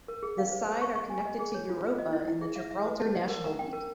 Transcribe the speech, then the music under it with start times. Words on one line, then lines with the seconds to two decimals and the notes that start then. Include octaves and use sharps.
The side are connected to Europa in the Gibraltar National League.
0.08 A#4
0.23 G#4
0.38 F5
0.52 C5
0.67 C5
0.81 C#6
0.95 C#6
1.10 G#5
1.25 D#5
1.39 G#4
1.54 C#5
1.69 F4
1.83 F4
1.98 D#5
2.13 E4
2.28 E4
2.41 G#4
2.56 E5
2.71 E5
2.86 B4
3.00 A5
3.14 D#5
3.29 A#4
3.44 A#5
3.59 G5
3.73 A#4